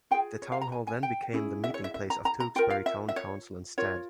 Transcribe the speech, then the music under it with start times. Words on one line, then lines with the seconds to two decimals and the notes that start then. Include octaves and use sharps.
The town hall then became the meeting place of Tewkesbury Town Council instead.
0.11 F4 G5
0.14 G#4
0.42 C#5
0.52 F5
0.61 A#5
0.72 G#5
0.87 G#5
1.03 G5
1.33 C#4 E4 G#4
1.64 E5
1.74 C#5
1.84 E5
1.94 E5
2.10 A#5
2.25 A#5
2.40 A#5
2.56 F4 G5
2.59 A#4
2.70 F5
2.86 E5
3.09 E5
3.16 C#5
3.78 F4 A#4 C#5